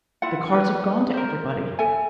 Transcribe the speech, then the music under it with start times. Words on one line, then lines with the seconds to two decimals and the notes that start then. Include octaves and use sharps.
The cards have gone to everybody.
0.22 E4 F4 F#5
0.50 D4 B4
1.14 A#4 C5
1.79 A4 E5 G#5